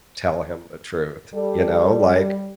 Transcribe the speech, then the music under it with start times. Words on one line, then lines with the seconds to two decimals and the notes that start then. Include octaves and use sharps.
tell him the truth?" You know, like,
1.35 G3 A4